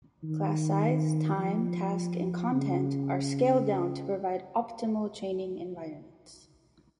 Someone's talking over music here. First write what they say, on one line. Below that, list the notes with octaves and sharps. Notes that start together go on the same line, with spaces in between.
Class size, time, task, and content are scaled down to provide optimal training environments.
D#3
F3
C#3